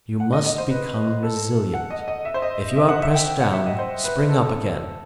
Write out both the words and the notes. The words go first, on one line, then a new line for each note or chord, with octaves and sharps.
You must become resilient; if you are pressed down, spring up again.
F#5
D#5
D#5
C5
B4
A4
F#5
D#5
D#5
E5
C5
D#5
E5
F#5
E5
F#5
G5
G5
F#5
E5
D#5
C5
B4
A4